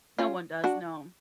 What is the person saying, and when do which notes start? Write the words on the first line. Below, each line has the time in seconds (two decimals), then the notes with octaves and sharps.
No one does, no.
0.19 C#4 F4
0.64 D4 F#4